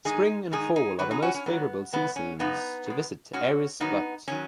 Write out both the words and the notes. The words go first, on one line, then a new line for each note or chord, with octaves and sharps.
Spring and fall are the most favorable seasons to visit Aires Butte.
G#2 D#3 G#3 D#4 G#4
G#2 D#3 G#3 D#4 G#4
D#4 G#4
G#2 D#3 F#3 F#4 B4
D#4 G#4
C#4 F#4
C#4
G#2 D#3 F#3 B3
F#2 C#3 G#3 B3
C#4
F#2 C#3 G#3 B3 D#4
B2 G#3
B2 G#3 C#4 F#4
G#2 D#3 F#3 B3 D#4
D#3 F#3 C#4